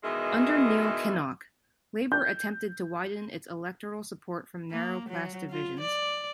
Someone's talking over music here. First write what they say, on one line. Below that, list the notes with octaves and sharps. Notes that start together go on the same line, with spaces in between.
Under Neil Kinnock, Labour attempted to widen its electoral support from narrow class divisions.
B2 D#3 E3 G#3
G6
A#3
F#3
F4
D5